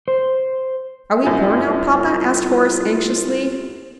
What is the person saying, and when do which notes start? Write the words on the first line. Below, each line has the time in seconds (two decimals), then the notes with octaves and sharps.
"Are we poor now, papa?" asked Horace anxiously.
0.08 C5
1.24 C2 F#2 F4 G#5